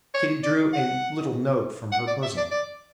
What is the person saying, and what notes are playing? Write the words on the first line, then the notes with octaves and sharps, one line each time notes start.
Kitty drew a little note from her bosom.
C#5
D5
F#5
F#5
D5
E5
D5
D5